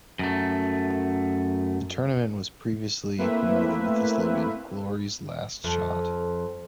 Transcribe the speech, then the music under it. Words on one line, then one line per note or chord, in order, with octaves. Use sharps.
The tournament was previously promoted with the slogan "Glory's Last Shot".
F#2 A3
A3 A#3 C4 E4 B4 E5
F2